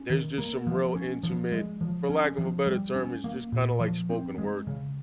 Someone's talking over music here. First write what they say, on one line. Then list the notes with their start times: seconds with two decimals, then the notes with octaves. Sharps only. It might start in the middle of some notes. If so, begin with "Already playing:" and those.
There's just some real intimate for lack of a better term, it's just kinda like spoken word.
Already playing: C#4
0.10 D#3
0.38 A#3
0.67 F3
0.96 C#4
1.23 F3
1.52 G#3
1.81 F3
2.09 C#4
2.38 F3
2.66 G3
2.96 C#4
3.24 A#3
3.52 A#2
3.80 F3
4.10 C4
4.38 G#3
4.67 C#3